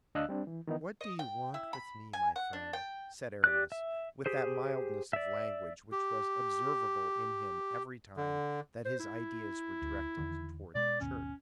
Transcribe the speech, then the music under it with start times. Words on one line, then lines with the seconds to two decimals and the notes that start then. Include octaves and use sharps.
"What do you want with me, my friend?" said Aramis, with that mildness of language which was observable in him every time that his ideas were directed toward the Church.
0.15 D2 D4 D#5 F5 E6 F#6
0.29 G3 C4 D4
0.47 E3
0.67 D#3 E3 B3 D#4
1.01 D#5
1.19 G5
1.54 E4
1.73 B5
2.13 G#5
2.36 F#5
2.53 D4
2.73 G5
3.44 G4 D5 F#6
3.72 E5
4.26 G4 G#4 C5
5.13 D5 E5
5.92 G4
8.17 D3
8.85 C5
9.00 E4
9.82 D2
10.17 E2 D3 D#3
10.75 B2 G#3 D5
11.00 G#1 D#2 B2 C#4